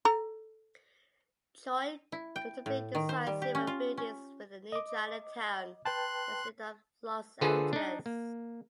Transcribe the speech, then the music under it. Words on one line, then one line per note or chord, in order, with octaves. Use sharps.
Choy notably designed several buildings within the New Chinatown district of Los Angeles.
A4 A#5
E4
G5
A2
D#3
C5
G3
G4
C#4
F4
C#4
D#5 D6
B4 G5 A5 C6 F#6
D3 F4 G#4 A4 B4 C5
D4 D#4
A#3